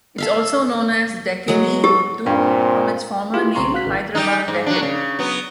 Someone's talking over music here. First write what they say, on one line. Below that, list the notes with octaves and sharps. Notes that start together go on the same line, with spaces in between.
It is also known as "Deccani Urdu" from its former name Hyderabad Deccan.
A4 E5 F5
F#3 G#3
G4 A4
G2 A#2 C4
E4 F4 G4 G#4
B1 C#3 C4 A#5 C6 C#6
C#4 F#4 F5 F#6 B6
G#1
G3 D#4
G#2
F#3 D4
C#3
F#3 B3